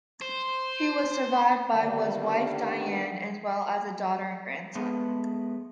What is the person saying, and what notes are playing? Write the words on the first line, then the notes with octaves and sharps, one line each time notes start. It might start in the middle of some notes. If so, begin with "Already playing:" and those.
He was survived by was wife Diane, as well as a daughter and grandson.
C5
D3 D#3 G3 A#3 B3
G#3 A3 B3 B4